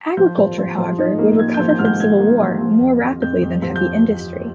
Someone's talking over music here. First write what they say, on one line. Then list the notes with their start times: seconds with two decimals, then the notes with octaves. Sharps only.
Agriculture, however, would recover from civil war more rapidly than heavy industry.
0.17 F3 G6
0.38 F3
0.58 F3
0.78 F3
0.98 D#4
1.19 A#3
1.39 A#3 G#6
1.54 G6
1.59 F3
1.69 G6
1.79 G#2 F6
1.85 G6
2.00 G#2 G#6
2.20 A#3
2.41 F3
2.61 F3
2.81 F2
3.01 F2
3.22 F2 G6
3.42 F2
3.62 F3
3.76 G6